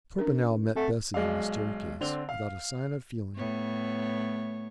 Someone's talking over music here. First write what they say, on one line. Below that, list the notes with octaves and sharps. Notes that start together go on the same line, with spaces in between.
Torpenhow met Bessie on the staircase without a sign of feeling.
C#4 D4 A#4
A3 C4 F#5
B1 G#3 D5 F5
D3 C4 D4 F7 G7
F5
A2 B3 C#5